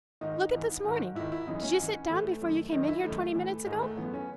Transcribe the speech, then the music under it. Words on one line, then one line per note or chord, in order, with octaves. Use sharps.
"Look at this morning--did you sit down before you came in here twenty minutes ago?"
G#2 D#3 D#4
G#2 E3
G#2 D#3
G#2 D#3 E4
E4
F#2 C#3 E3 D#4
C#4
G#2 E3
A2 E3 A3
F#2 D#3
F#2 D#3 D#4
E4
F#2 D#3 A3
A2 E3
G#2 D#3 G#3
A3
F#2 C#3 E3 B3
C#4